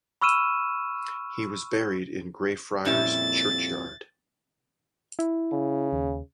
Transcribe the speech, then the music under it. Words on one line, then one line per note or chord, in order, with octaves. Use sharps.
He was buried in Greyfriars churchyard.
B5 C#6 E6 F6 D#7 E7
F2 A#2 G3 C#4 E4 A6
E4
C#3
D#2